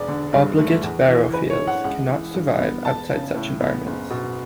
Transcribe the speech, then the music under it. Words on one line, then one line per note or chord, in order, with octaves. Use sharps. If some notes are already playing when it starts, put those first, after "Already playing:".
"Obligate barophiles" cannot survive outside such environments.
Already playing: E1 D5
D3
G2
A3
E2
E3
F#1 B4
C#5
E3
F#5
C#2 F#5
E3
G2
B3
E1 A5
C#3
A2
B3
F#1
B2